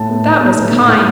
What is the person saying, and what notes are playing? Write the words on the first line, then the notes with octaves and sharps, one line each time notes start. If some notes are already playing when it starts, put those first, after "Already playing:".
That was kind.
Already playing: A2 A5
B3
A2
B3
A2
A2
A2 F#5